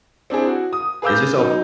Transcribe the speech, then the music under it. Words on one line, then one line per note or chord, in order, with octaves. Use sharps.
it's just a wh
C4 D4 E4 G#4
F#4
D#6
G#4 B4 F5 D6 E6 G6
F#3 D#4